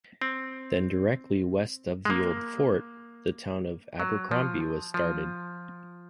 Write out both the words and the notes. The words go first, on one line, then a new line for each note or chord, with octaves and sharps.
Then directly west of the old fort, the town of Abercrombie was started.
C4
G#3
A#3
F#3
F3
F3